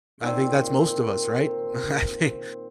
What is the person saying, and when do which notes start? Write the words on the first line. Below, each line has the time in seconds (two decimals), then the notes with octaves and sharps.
I think that's most of us, right? I think
0.22 A#2 D#3 C4